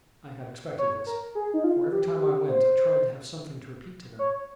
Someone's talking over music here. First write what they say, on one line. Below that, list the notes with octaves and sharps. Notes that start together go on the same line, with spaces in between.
I had expected this; for, every time I went, I tried to have something to repeat to them.
C#5
A#4
G#4
D#4
F4
G4
G4
C5
C#5